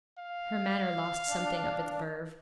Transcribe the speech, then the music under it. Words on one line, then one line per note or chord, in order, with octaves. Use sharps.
Her manner lost something of its verve.
F5
D4